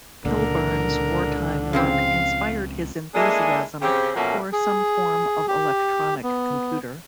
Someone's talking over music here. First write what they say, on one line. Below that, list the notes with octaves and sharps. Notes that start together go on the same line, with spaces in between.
Kilburn's wartime work inspired his enthusiasm for some form of electronic computer.
C#2 A#2 D3 A#4
C#3 F3 C4 F5
G#3 A#3 D4 E4 G#4 A4
C#3 C4 G4
B2 F3 F#3 A3 A#3 C#4
G#4
G4
B3